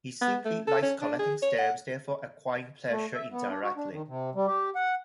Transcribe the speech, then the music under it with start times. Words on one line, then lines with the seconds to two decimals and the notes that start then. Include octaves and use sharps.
He simply likes collecting stamps, therefore acquiring pleasure indirectly.
0.21 B3
0.45 A3
0.67 A4
0.82 C#4
1.01 D4
1.19 G#4
1.42 C#5
1.59 F#5
2.90 A3
3.14 E5
3.32 B3
3.50 D4
3.63 F#4
3.76 D4
3.92 D#3
4.08 C3
4.35 G3
4.47 G4
4.75 F#5